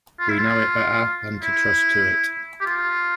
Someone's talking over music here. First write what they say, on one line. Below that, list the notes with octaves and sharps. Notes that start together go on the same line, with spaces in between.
We know it better than to trust to it.
F4
E4
F4
E4
G4
F4